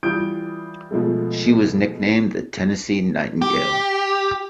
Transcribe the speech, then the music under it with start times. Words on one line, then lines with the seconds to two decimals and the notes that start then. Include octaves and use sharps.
She was nicknamed the Tennessee Nightingale.
0.03 E3 G3 F4 D#6 G6 D7
0.91 B2 F3 G#3 A3
3.42 G4